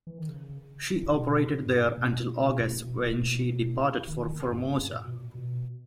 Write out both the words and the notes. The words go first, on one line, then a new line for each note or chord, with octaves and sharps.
She operated there until August, when she departed for Formosa.
E3
D#3
C#3
B2
B2
A#2
G2
G#2
A#2
B2
B2
B2
B2
D#3
D#3
D#3
C#3
G2
A#2
B2
A#2
B2